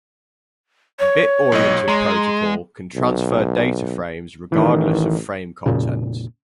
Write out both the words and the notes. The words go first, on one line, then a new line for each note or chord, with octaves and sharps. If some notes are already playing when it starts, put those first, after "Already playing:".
Bit oriented protocol can transfer data frames regardless of frame contents.
C#5
B1 A#2 D#5
G#3 A#5 C6
B1
A1 D#3 E3
F1 A#2 C#3